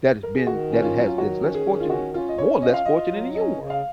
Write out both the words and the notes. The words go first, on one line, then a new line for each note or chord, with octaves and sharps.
that it's been that it has this less fortunate, more or less fortunate, than you were."
A#4
G#4
D#3 F#4
C#4
F4
F#3
F4
D#3 F#4
C#4
G#4
D#3
F4
C#4 F#4
C#4 F4
D#5
C#4 C#5
F4 D#5
F5
F4 D#5
F#3
C#4 D#5
C#3
F5